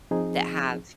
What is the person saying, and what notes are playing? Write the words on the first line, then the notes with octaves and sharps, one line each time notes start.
that have
F3 C4 D#4 G#4